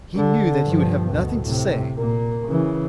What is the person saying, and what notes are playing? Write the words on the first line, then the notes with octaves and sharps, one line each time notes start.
He knew that he would have nothing to say.
D3
G2 F3
D2 B2
A2 C3
A#2 A#3
C#3 E3